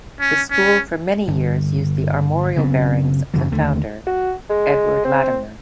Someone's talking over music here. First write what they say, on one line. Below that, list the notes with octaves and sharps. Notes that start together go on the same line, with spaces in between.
The school for many years used the armorial bearings of the founder, Edward Latymer.
C#4
C#4
G1
F#1 C#3 B3 C4
F#2 C#3 E3 F#3
D#2 D3 A3
F#4
G#3
C4